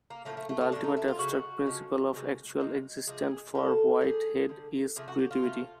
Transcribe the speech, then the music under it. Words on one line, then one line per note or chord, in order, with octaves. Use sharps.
The ultimate abstract principle of actual existence for Whitehead is creativity.
A#3
A2 F3 A3 A#3
A3
A3
A3
A2 F3 A3 D4
D#4
E4
F4
C#3 F3 G#3 F#4
C#3 F3 G#3
C3 D#3 G#3
C3 D#3 G#3
C3 F3 G#3 G#4
C3 F3 G#3 A4
D3 G3 G#4
D3 G3
C3 F3 A3 G#4
F#4
G4
F4
C3 F3 A3